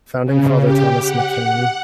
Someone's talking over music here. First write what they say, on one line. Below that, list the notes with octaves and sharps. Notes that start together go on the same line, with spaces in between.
Founding Father Thomas McKean.
C#3
G4
F#5